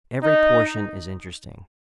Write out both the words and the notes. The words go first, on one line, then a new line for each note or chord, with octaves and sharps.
Every portion is interesting.
D#4